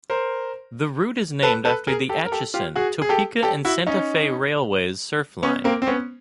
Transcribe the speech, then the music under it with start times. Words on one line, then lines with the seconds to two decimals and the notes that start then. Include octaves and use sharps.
The route is named after the Atchison, Topeka and Santa Fe Railway's Surf Line.
0.10 A#4 C5
1.43 A4 B4
1.65 A4 B4
1.87 G#4 A#4
2.09 G4 A4
2.26 A#4
2.32 G4 A4
2.54 F4 G4
2.76 F#4 G#4
3.02 G#4
3.09 G4 A4
3.43 G4 A4
3.65 E4 F#4
3.87 C#4 D#4
5.43 B3 C#4
5.64 A#3 C4
5.82 C4
5.87 B3 C#4